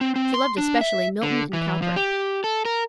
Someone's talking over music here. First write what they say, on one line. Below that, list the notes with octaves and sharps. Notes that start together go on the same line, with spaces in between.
She loved especially Milton and Cowper.
C4
C4
C6
D4
E5
D3
E3
F3
G4
A4
A#4